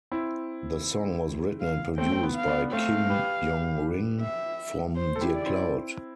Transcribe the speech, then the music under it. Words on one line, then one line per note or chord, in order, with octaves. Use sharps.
The song was written and produced by Kim Yong-rin from Dear Cloud.
C4 E4
F5
A3 C4 G5
C4
B3
F5
B3 D4
A3 C4 F5
G4 B4
E5
C5
A4
E4 G4
D5
C4 E4